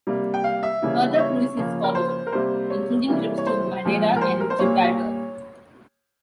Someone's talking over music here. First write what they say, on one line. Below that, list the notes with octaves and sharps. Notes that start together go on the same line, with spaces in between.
Further cruises followed, including trips to Madeira and Gibraltar.
C3 G3 A#3
G5
F5
E5
C#3 E3 G3 A#3
E5
C#5
C#3 F3 A#3
A#4
C5
A#4
C3 G3 A#3 C5
C#5
C3 E3 G3 A#3
C#5
C5
A#2 F3 G#3
A#4
C5
A#4
C5
A#2 G3 A#3 C#5